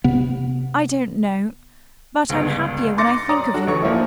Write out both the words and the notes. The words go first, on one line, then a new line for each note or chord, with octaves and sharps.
"I don't know--but I'm happier when I think of you."
C3 B3
G1 C#2
C6 D6 A6 A#6 C#7
F#3 D5 A#5 D#6
D4 F#4 A4
A1 D3 C#5 C#6
A#2 F3 A#3 E4